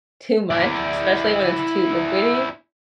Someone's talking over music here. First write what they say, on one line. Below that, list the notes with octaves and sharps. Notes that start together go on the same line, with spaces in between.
too much, especially when it's too liquidy.
E4 D5